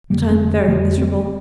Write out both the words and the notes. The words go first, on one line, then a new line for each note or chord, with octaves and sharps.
But I am very miserable!
F1 F2 D3 G3 A#3
A3 C4
F1 F2 D3 F3 A3
A3 C4